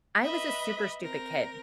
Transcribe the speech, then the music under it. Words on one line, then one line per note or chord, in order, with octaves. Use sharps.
I was a super stupid kid,
B4 D#5 E5 B5
C4 A#4